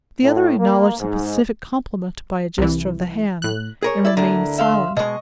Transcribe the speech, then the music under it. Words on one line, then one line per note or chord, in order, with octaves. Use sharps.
The other acknowledged the pacific compliment by a gesture of the hand, and remained silent.
A2
A#3
G#2
C2 E3
A2 F#6
G#4 A#4 C#5
E4 D5
D2 D3 E4 A#4
E5 F5 C6
B2 G#3 D#5 C#6